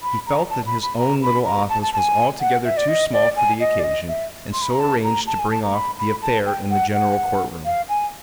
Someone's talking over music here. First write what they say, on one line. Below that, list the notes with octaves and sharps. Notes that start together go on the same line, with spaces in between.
He felt that his own little office was altogether too small for the occasion and so arranged to bring off the affair in the general courtroom.
B5
A#5
A5
B5
B5
A#5
B5
A#5
A5
A5
A5
G#5
F#5
E5
D5
D#5
D5
G#5
D#5
D5
D#5
E5
C6
B5
A#5
A5
A#5
A5
G#5
A5
A#5
B5
B5
A5
G5
F#5
F#5
F5
G#5